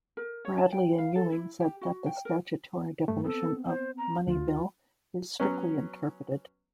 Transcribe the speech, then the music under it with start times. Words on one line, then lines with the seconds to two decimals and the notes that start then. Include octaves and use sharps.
Bradley and Ewing said that the statutory definition of Money Bill is "strictly interpreted".
0.17 A#4
0.45 C#5
0.58 A5
0.72 G5
0.98 F5
1.16 A4
1.32 E4
1.60 G4
1.81 F#4
2.06 G5
2.25 A#4
3.08 G2 A3
3.25 B3 C4 A4
3.67 C5
3.98 A#5
4.27 D2 F4
5.40 F#3 B3 C#4